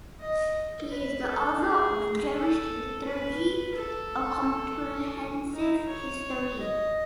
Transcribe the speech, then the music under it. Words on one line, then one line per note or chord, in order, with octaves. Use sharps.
He is the author of "Jewish Liturgy: A Comprehensive History".
D#5
B4
A4
G#4
A4
B4
A4
D#4
C#5
D#5